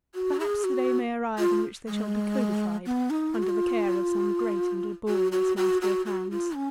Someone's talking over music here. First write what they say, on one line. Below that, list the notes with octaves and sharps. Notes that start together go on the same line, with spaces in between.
Perhaps the day may arrive in which they shall be codified under the care of some great and laborious master of hounds.
F#4
G#4
F#4
F4
G#3
B3
D#4
F4
F#4
F4
F#4
F#4
F#4
F#4
F#4
F4
C#4